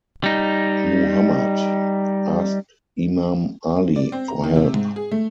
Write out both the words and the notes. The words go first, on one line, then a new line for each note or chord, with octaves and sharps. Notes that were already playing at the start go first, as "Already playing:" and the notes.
Muhammad asked Imam Ali for help.
G3 D#4
D5
C4
A#5
D#3
C3
G#2
G#4
A3